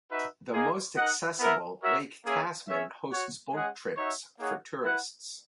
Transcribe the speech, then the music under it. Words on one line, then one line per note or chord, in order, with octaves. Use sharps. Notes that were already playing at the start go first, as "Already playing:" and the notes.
The most accessible, Lake Tasman, hosts boat trips for tourists.
D#4 F#4 B4 E5
A#3 D#4 G#4
D#4 A#4 D#5 F#5
B3 E4 A#4 E5
F#4 A#4 C#5 E5
A#3 C#4 G#4 C#5 E5
C#4 G#4 C#5 E5
F#4 C#5 F#5
G#3 C#4 G#4 D#5 F#5
D#4 F#4 C#5 E5
A#3 D#4 G#4 C#5 F#5
E4 B4 F#5